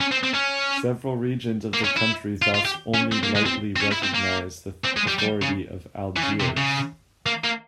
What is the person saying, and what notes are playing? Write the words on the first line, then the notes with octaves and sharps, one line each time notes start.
Several regions of the country thus only lightly recognize the authority of Algiers.
C#4
C4
C4
C#4
A#3
C#4
E4
F4
F4
G4
C#4
C4
A#3
G#3
C4
C4
C#4
E4
C4
A#3
C4
G#3
G3
G3
C#3
E3
C#3
C3
C#3
A#3
A#3